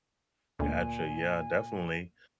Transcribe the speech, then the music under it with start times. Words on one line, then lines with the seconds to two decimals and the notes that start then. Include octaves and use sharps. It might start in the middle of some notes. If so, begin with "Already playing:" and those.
Gotcha, yeah, definitely,
0.59 D2 A#2 G#5